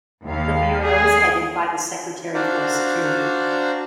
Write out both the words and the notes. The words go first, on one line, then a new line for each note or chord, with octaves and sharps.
The bureau is headed by the Secretary for Security.
D#2 F5
G#4
D4 F#4 C5 D5 F5 A#5